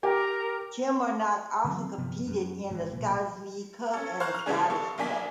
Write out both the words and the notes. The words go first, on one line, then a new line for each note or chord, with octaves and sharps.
Kilmarnock also competed in the Scottish League Cup and the Scottish Cup.
G4 A#4
D3 E3 F#3 C4
G1 C3 F3 B3
F#2
G#1 E3 G#3
B1 A#2
C#4 A4
C5 F5 A#5 C#6 F6 F#6
F6 F7
C#3 E3 G3 G#3 D4 G#4
C2 A4 C#6
B1 A#3 D4 G#5 B6